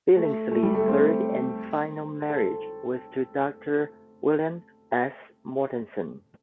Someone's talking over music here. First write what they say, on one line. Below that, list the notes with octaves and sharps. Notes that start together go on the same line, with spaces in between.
Billingsley's third and final marriage was to Doctor William S. Mortensen.
A3
A3
G3
A3
C4
A4